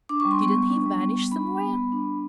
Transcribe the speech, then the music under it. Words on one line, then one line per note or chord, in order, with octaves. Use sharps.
"Didn't he vanish somewhere?"
D4 D6
C#6
G3
C6
B3 C#6
G3
D4
G3
B3
G3
D4 B5
G3
B3
G3
D4
G3